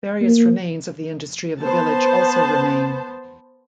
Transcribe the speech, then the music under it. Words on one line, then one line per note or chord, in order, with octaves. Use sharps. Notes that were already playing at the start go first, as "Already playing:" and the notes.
Various remains of the industry of the village also remain.
A#3
B3 C5 A5